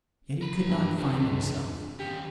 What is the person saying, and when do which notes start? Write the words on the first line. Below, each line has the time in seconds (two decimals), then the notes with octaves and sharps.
Yet he could not find himself.
0.41 A#4 B5
0.68 G2
0.97 C#2 E3 D4
1.99 D#3 C#4 G4